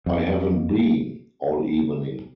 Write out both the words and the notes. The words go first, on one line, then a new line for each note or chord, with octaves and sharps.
I haven't been, all evening.
F2